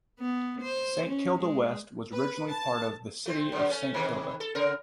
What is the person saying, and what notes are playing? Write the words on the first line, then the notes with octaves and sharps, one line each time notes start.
Saint Kilda West was originally part of the City of Saint Kilda.
B3
C5
C#4
G#3
B4
A5
A3 C4
F#2 D3
A3 C#4
C3 D#3 E3
A4
C#3 A#4